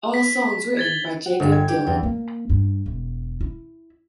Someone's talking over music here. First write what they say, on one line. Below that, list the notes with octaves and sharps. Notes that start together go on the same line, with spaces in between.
All songs written by Jakob Dylan.
B6
G#6 A6 G7
F#5
G1
G#6
G4
E2
A#3
G2
E1
E4